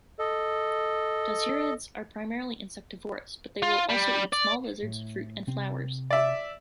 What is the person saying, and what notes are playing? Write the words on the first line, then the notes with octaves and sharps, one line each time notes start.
Dasyurids are primarily insectivorous, but they will also eat small lizards, fruit, and flowers.
A4 D#5
F4
G3
D5
A2
C3 C4
D5 E5